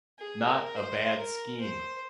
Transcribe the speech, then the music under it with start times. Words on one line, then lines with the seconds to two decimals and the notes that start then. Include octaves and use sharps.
Not a bad scheme.
0.19 G#4
0.48 A#4
0.76 C5
1.19 A#4
1.61 C5